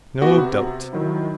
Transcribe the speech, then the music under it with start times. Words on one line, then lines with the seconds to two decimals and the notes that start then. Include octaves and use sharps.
No doubt.
0.21 B3 F#4 G4
0.37 C3
0.93 D#3 F#3 E4